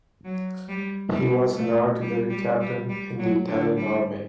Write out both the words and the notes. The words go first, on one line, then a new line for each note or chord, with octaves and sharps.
He was an Artillery captain in the Italian Army.
F#3
G3
G3
A3
G3
G3
G3
G3
F#3
D3
G3